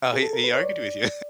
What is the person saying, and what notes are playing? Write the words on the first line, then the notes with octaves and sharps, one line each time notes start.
Oh, he he argued with you.
G#4
A4
A#4
B4
C#5
D5